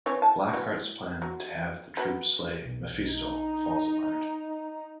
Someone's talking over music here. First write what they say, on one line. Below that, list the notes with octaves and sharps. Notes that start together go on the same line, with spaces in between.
Blackheart's plan to have the Troop slay Mephisto falls apart.
E3 C4 C#5
A5
E3 F#4
F#3
F#3 B3
B1
D#4